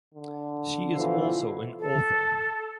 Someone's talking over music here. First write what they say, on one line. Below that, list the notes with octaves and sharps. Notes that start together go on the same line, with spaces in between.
She is also an author.
D3
B2 E3 F3 F4 A4 F5
A4